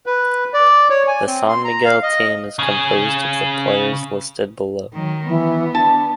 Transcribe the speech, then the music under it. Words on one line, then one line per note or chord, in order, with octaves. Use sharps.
The San Miguel team is composed of the players listed below.
B4
D5
C#5
G#5
C4
C6
A#5
F5
D#5
C#3 G#4
D#3 F#3
E3 B3
D4 A5